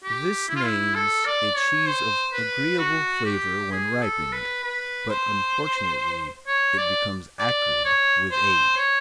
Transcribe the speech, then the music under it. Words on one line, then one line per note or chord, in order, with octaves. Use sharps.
This names a cheese of agreeable flavor when ripened, but, unfortunately, it becomes acrid with age.
G4
E4
F4
E4
A4
D5
C#5
C5
B4
F#4
G4
G#4
A4
B4
B4
C5
C#5
D5
D5
C#5
C5
C#5